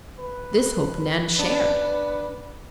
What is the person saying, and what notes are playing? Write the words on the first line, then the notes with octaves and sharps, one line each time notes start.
This hope Nan shared.
B4
B3 D4